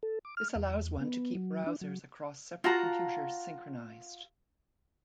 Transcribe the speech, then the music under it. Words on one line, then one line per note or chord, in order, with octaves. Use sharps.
This allows one to keep browsers across separate computers synchronized.
A4
D6
F6
E2
B3
F#3
D4
F#3
F4 F#4 A5 A#5